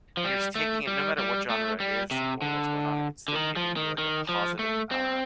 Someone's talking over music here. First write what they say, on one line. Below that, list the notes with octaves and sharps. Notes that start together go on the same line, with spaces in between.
you're taking it no matter what genre it is, or what's going on, it's still giving you like a positive, uh,
F3
G3
A3
G3
G3
A3
G3
C3
D3
D3
D#3
F3
D#3
D#3
F3
A3
C4